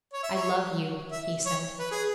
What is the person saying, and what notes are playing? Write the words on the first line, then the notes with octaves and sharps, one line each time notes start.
'I love you,' he said.
C#5
E5
C#5
E5
C#5
B4
G#4